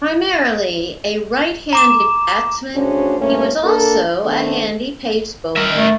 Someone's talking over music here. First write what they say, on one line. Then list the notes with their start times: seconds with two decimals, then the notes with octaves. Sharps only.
Primarily a right-handed batsman, he was also a handy pace bowler.
1.73 A#5 D6 E7
2.76 D2 C#3 C#4 D4 F#4 C5
3.19 G2 A#2 A3 A#3 C#4
3.64 A#3 D4 A4 A#4
4.24 D#3 A3 B3 D4 C5
5.56 A#4 E5
5.77 A3